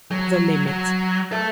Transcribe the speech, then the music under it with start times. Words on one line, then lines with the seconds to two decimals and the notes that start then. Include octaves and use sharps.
The limit.
0.11 F#3
0.67 F#3
1.31 A4 E5